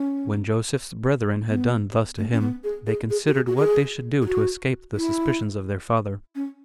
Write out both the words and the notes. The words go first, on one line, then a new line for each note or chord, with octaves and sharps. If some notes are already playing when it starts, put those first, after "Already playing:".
When Joseph's brethren had done thus to him, they considered what they should do to escape the suspicions of their father.
Already playing: C#4
B3
A3
C#4
B3
G#4
G#4
G#4
F#4
G#4
F#4
G#4
G#4
F#4
E4
C#4